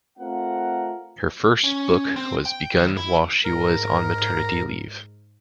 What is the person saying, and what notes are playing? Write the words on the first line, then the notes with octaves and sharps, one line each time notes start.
Her first book was begun while she was on maternity leave.
A3 C4 F4 A#4 F#5
C#4
C4
G5
D#2
E4
G#2 A#4